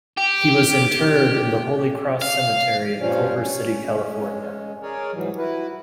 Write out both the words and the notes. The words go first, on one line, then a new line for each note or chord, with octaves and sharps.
He was interred in the Holy Cross Cemetery in Culver City, California.
G4
F5
G2 A#2 F3 G3 C#4 D4
C#4
G#3 C#4
G#4 A#4 C#5 D5
G#2 E3 F#3 G3
E4 F#4 B4